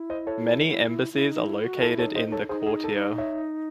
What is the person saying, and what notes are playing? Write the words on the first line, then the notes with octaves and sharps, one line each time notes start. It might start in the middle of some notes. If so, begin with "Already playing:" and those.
Many embassies are located in the Quartier.
Already playing: E4
C5 D#5
A4 C#5
E4
D#4
E4
F#4
E4 A4
A4 C#5
D#4
C5 D#5
D#4
A4 C#5
D#4 G#4 C5
G#4
A4
C#5 E5